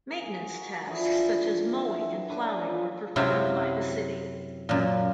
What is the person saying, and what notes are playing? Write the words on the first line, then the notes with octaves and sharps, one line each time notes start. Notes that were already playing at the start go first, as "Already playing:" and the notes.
Maintenance tasks such as mowing and plowing were performed by the city.
G#4 A#4
F#4
D3 E3 F3 G#4
E5 F#5
D3 C#4 D4 B4
F3 C#4 F4
F#2 C3 F#3 C4 E4 F5
F#2 A#2